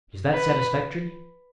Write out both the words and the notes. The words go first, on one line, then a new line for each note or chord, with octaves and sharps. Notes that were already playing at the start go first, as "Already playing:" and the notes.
Is that satisfactory?'
B4